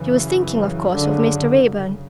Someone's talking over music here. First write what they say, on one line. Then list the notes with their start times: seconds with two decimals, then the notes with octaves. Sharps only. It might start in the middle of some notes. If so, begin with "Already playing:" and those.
She was thinking, of course, of Mr. Raeburn.
Already playing: F#2 C#3 E3
0.91 D3